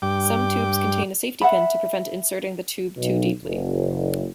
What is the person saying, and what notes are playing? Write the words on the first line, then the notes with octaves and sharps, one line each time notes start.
Some tubes contain a safety pin to prevent inserting the tube too deeply.
G2 G5 D6
E5 F#5 A5 B5
B1
F#1